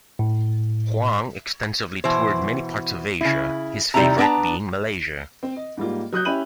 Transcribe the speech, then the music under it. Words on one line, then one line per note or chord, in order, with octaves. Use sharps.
Huang extensively toured many parts of Asia, his favourite being Malaysia.
A2
B2 E3 C5
C#3 E4
C3 G3 A#3 D#4 E4 A#5
B3 D4 B4 G5 A5 A#5
C4
D#5
G#2 G3 A#3 F4
F#3 D#6 F#6 G6
C#4 E4 G4 B5 D#7 F#7